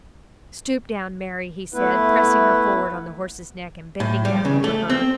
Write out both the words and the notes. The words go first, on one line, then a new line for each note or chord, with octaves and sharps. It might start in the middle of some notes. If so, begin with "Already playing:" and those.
"Stoop down, Mary," he said, pressing her forward on the horse's neck and bending down over her.
A3 B3 E4 B4
A2
G3
C#3
A3
C4